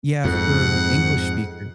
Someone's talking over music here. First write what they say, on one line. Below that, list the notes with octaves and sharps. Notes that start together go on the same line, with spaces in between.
Yeah, for English speaker
F2 G#2 F#5